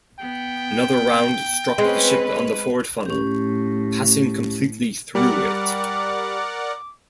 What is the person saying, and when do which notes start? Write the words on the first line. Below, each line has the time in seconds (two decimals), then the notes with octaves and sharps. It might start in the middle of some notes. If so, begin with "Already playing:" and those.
Another round struck the ship on the forward funnel, passing completely through it.
0.19 B3 G5
1.78 G#3 C4 C#4 B4
3.06 A2 C#4 G4
5.15 G3 A#4 D5 F#5 D6